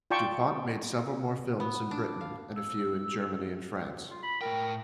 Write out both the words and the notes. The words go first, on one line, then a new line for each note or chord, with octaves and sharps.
Dupont made several more films in Britain and a few in Germany and France.
F4 D5 G5 A5 C#6
B3
D4
F5
E6
F4
B5
A2 D#4 A#4 G5